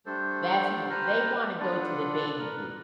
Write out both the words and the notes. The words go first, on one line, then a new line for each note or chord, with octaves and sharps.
that's who they wanna go to the baby group.
G3 A3 D4 A4 C5
G4 B4 C5 A5 A#5 F6
D4 F4 A4 B4 D5 F#5
A#4 B4